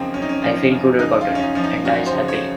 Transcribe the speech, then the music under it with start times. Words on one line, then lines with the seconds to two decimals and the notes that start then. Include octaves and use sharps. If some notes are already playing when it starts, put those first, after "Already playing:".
I feel good about it, and dies happily.
Already playing: F#2 C#3 F3 A#3 C4 C#4 D#4
0.13 F#2 C#4
0.22 D#4
0.29 C#4
0.42 F3
0.71 F#2
0.99 C#3 D#4
1.21 F4
1.28 F#2
1.35 C#4
1.42 D#4
1.55 F3 C#4
1.64 D#4
1.85 F#2 F#4
2.06 C5
2.14 C#3
2.28 C#5